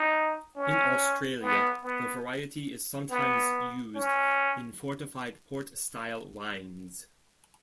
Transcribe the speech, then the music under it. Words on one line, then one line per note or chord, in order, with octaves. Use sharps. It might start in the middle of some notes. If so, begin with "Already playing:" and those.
In Australia, the variety is sometimes used in fortified port-style wines.
Already playing: D#4
C#4
B3
B3
B3
C#4